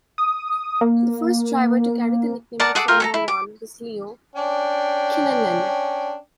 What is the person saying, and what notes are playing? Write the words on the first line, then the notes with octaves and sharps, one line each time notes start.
The first driver to carry the nickname in Formula One was Leo Kinnunen.
D#6
A#3
A#4 D5 F#5 A5
G#4 A4 F#5 D6
F4 A#4 G5
A4 G#5 A#5
E4
D6
C#4 D4 G5